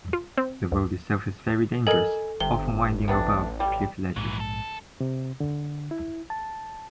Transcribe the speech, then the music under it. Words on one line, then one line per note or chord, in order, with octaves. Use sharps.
The road itself is very dangerous, often winding above cliff ledges.
F4
C4
D2
A4 A#4 D#5 G#5 F#7
G1 C3 G7
A1 C3 B3 D4
G3
A#1 G#2 E3 F#3
A4
C3
D3
E4
A5